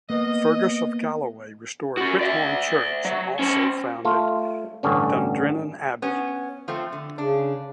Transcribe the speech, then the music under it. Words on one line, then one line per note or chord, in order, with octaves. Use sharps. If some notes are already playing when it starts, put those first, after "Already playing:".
Fergus of Galloway restored Whithorn church and also founded Dundrennan Abbey.
A#3 B3 D#5
C#4 F#4
D5 E5
F#3
C#4 C5
A3 F4
A1 G2 D3 C#4
B3 C#4
F3 A3 C4
D3
C#3 D4